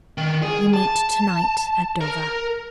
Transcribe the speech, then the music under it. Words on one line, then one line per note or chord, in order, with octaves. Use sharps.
We meet to-night at Dover!
D#3
G#4
A5
A#4